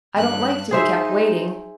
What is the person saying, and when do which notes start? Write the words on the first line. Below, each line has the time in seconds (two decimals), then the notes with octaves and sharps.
I don't like to be kept waiting.
0.15 G2 F#6
0.71 D#4 G#4 C5 E5